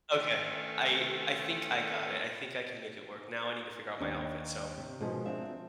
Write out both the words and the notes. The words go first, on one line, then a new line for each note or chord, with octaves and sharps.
Okay, I I think I got it, I think I can make it work, now I need to figure out my outfit, so
D#3 A3 C#4 F4 A4 B4
D#2 D4 D#4
C3
B2 D#3 F3 G#3
C4 D4 E5